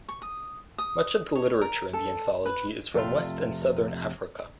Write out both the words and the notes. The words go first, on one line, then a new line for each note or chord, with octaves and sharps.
Much of the literature in the anthology is from West and Southern Africa.
C#6
D#6
D#6
C#5
A#4
A4
B4
F2 C3 A3 F4